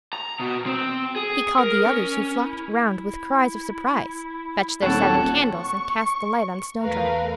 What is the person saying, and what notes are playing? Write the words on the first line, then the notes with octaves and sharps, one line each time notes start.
He called the others, who flocked round with cries of surprise, fetched their seven candles, and cast the light on Snowdrop.
A#5
B2
C4
G#4
A#4
C#4
E4
D#1 C4 A4 C#5 F#5 A5
C#6
E2 A3 A#4 B4 F5